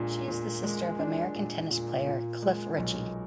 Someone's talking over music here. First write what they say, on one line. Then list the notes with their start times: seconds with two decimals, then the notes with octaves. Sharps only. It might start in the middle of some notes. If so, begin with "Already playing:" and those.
She is the sister of American tennis player Cliff Richey.
Already playing: A#2 G#3 D4
0.28 A#2
0.63 G#3
0.99 D4
1.35 A#2
1.71 A#2
2.07 A#2
2.42 G#3
2.78 B1